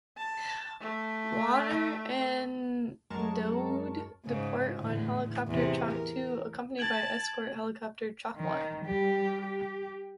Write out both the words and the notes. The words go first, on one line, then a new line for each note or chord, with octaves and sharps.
Warner and Daoud depart on helicopter "Chalk Two" accompanied by escort helicopter "Chalk One".
A5
A3
F#2 F#3 G#3 A#4 A5 C#6
G#2 C#3
E2 A2 D3
E2 C3
A#4
A5 G#6 D7 F#7
D#3
G3 G4
G4